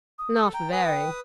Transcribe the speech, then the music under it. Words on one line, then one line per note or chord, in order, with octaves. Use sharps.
"Not very."
D#6
A4
G5 A#5
B4 G#5 D#6
G5